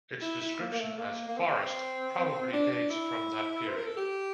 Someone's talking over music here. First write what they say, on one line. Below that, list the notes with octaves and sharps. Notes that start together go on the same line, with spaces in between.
Its description as 'forest' probably dates from that period.
E4
E4
A#3
A#3
A3
A#3
A#3
C4
D4
D4
E4
C5
A#4
A4
G4